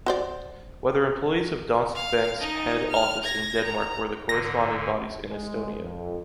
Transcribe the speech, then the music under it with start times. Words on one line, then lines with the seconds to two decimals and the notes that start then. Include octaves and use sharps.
Whether employees of Danske Bank’s head office in Denmark or the corresponding bodies in Estonia?
0.06 F#4 C5 D5
1.95 F5
2.40 D#4 D#5
2.89 F6
3.24 G#6 A#6
3.64 A#5
4.29 G#2 D3 A#6
5.29 G#3
5.79 F2